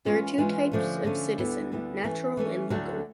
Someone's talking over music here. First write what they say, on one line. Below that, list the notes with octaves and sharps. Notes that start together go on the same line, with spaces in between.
There are two types of citizen: natural and legal.
E3 G#3 C#4 F4
E3 G#3 C#4 F4
D3 F3 A3 C#4
D3 F3 A3 C#4
D2 D3 G3 B3 E4
D2 D3 G3 B3 E4
E3 A3 C#4
E3 A3 C#4
D2 D3 F#3 A3